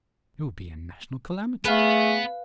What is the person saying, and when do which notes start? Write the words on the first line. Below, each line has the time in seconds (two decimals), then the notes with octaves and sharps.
It would be a national calamity.
1.65 A3 B3 G#4 B4 F5